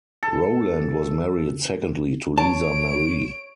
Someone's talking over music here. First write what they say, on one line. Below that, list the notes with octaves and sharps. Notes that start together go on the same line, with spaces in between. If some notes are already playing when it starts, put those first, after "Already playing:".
Rowland was married secondly to Lisa Marie.
A4
C#5 A5 D7